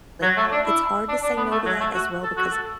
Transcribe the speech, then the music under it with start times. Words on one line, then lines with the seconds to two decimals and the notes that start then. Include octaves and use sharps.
like, it's hard to say no to that as well because
0.22 F#3
0.37 A3
0.52 D4
0.66 E4
1.09 D4
1.23 D4
1.37 B3
1.51 A3
1.66 F#3
1.80 A3
1.95 F#4
2.23 A4
2.37 F#4
2.52 A4